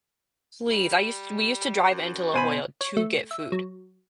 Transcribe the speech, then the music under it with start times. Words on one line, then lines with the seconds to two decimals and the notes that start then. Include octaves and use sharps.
Please. I used we used to drive into La Jolla to get food.
0.71 G3
1.91 F#2
2.34 B2 C5 G#5 B5 D#7
2.81 C#5
2.97 A3
3.31 E5
3.52 F#3